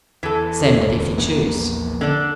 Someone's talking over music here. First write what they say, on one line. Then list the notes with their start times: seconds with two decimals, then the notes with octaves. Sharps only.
Send it, if you choose!
0.23 E2 E3 A4
0.89 D1
1.18 A#1 A#3 B3
2.01 D3 D4